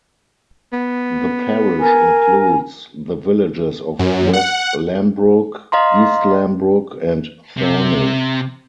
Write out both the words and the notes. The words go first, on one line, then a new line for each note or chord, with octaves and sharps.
The parish includes the villages of West Lambrook, East Lambrook and Thorney.
B3
A#4 G#5
F#2
F#5
D#5 F5 A#5 C6
C3